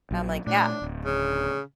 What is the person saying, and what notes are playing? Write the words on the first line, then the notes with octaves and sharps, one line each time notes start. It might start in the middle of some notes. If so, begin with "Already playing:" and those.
I'm like, "Yeah."
A#1 F#3
A#2 A3 D4
D1
C#3